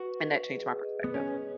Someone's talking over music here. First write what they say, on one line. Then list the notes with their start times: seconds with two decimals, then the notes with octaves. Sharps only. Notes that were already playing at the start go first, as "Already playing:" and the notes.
and that changed my perspective.
Already playing: F#4 B4
0.22 D#5
0.53 G#4
0.84 D#5
1.04 B3
1.13 C#4 D#5